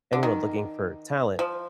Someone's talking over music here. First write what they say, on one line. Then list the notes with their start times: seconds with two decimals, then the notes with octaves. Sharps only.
anyone looking for talent.
0.13 D3
0.23 D#3
1.39 F3